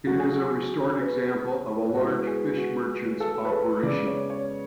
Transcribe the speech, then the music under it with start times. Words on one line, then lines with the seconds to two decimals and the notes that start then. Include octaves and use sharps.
It is a restored example of a large fish merchant's operation.
0.07 C#3 F#3 A3 F#4
0.19 G#4
0.32 F#4
1.01 B4
1.94 A2 G#3 B3 F#4
2.27 G#4
2.58 F#4
2.88 G#4
3.20 A4
3.45 B4
3.52 A4
3.83 C#3 G#3 B3 D5
4.07 C#5
4.30 C#5